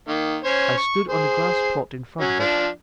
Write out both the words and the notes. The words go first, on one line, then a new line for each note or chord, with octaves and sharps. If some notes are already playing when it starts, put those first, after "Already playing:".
I stood on the grass-plot in front of it.
D#3 A#3
C#4 C5 C#5
C#6
G#4 C5
F#3 C#4
F3 D4